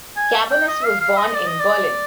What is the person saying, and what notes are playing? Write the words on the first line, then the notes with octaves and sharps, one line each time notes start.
Cabanis was born in Berlin.
G#5
G5
D#5
F5
F5
D#5
D5
D#5
D5